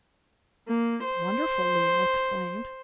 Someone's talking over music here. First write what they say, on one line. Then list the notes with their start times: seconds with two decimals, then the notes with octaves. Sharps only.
"Wonderful!" Lea exclaimed.
0.68 A#3
1.04 C5